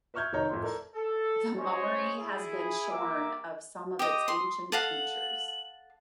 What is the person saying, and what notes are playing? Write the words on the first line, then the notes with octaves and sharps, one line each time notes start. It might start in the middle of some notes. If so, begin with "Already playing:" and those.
The mummery has been shorn of some of its ancient features.
B4 E5 C#6 F6 G6 G#6
F1 D#3 D#4 C#5 A#5 G6
F2 A2 C6
A4 A#4 D5
A4
C#4 G#4 C5 C#5 D#5 G#5
E4 G#4
G3 A#3 A#4 E5 D6
G4 D#5 D#6
C6
A4 F5 F#5 F#7